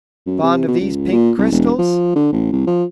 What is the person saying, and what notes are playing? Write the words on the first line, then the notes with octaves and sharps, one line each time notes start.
"Fond of these pink crystals?"
F#2
C3
B2
C#2
A#2
C2
E1
F3
D3
A1
C2
F3